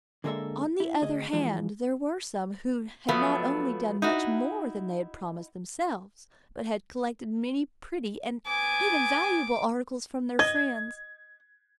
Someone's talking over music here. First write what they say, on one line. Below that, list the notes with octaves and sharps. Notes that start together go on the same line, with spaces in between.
On the other hand, there were some who had not only done much more than they had promised themselves, but had collected many pretty, and even valuable articles from their friends.
D3 G#3 A#3 C#4 A4 E5
E4
D2 G#4 D#5
E3 F3 G#3
F3 F#3 A3 B3
D#4 E4 F#4
B3 G#5 D6
D#5 G#6